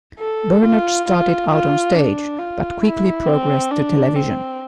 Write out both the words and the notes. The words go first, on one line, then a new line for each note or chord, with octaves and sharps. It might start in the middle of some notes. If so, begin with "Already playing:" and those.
Bernard started out on stage but quickly progressed to television.
A4
F4
F4
F4
D4
F4
E4
C4
D4
C4